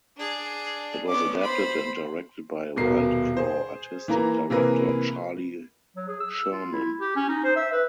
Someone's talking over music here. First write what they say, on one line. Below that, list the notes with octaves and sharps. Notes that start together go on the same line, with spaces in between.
It was adapted and directed by WildClaw artistic director Charley Sherman.
D4 G#4
B3 C#4 D6
C5 B5
D#1 B2 A#4 C7
G#4 C5
E3 A#3 A#5
C3 E3 A#3 G#4 A#4 B4
F#3
G#4
E6
F4
E4
G4
C#4
D#4
C5
E5
B4